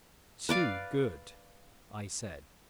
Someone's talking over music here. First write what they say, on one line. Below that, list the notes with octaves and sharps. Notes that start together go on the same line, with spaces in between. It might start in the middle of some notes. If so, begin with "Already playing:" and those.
"Too good," I said.
B4 D5 F5